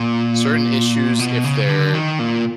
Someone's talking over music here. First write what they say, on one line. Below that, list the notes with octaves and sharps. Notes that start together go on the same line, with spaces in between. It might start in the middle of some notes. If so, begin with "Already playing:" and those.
certain issues, if they're
Already playing: A#2
B2
C#3
D3
D#3
A#2